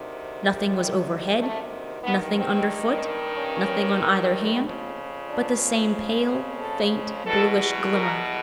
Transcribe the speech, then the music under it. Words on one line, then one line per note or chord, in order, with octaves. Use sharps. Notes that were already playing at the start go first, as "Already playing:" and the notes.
Nothing was overhead, nothing under foot, nothing on either hand, but the same pale, faint, bluish glimmer.
Already playing: D2 C3 D#3
G3
A3
G2 D#3 B3
C4
C#4
F2 C#3 F3
D4
A4
E2 B2 A4
A#4